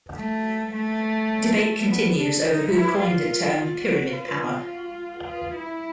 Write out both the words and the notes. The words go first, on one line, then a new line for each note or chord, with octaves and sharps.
Debate continues over who coined the term "pyramid power".
A3
A3
B3
D4
D#4
E4
F4
F4
F#4
F4
F4
E4